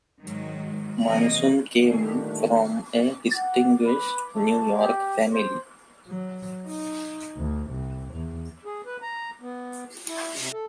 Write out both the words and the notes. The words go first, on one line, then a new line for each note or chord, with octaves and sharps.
Mason came from a distinguished New York family.
G#2 D#3 F#3 G#3
C3 E3 F#3 A#3 D#5
A#2 D3 D#3 G3 A3
F#5
B4
A3
G4
C5
F#3
D#4
D2
C2
E2
G#4
B4
A#5
B3
E4
C3
A4